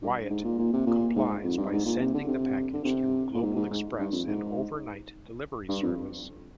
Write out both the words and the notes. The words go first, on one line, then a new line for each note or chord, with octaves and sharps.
Wyatt complies by sending the package through Global Express, an overnight delivery service.
G2
G#2
A#2
A#2
C3
A#2
G#2
F2
G2
G#2
A#2
C3
D3
C3
D3
C3
A#2
G#2
G#2
G#2
G2
F2
G#2
G2
F2